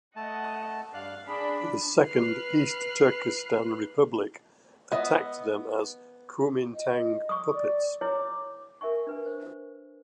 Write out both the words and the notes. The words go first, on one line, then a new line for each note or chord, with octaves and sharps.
The Second East Turkestan Republic attacked them as Kuomintang "puppets".
A3 D#5 F#5 A5
G2 D5 F5 F#6
D4 G#4 B5
B4 F6 F#6 C7
B3 D#5 E5
D#5
C#6 D#6
D5
E4 C#5 D6
A#4 E5 G#5 C#6
D4 B4 G#5
C5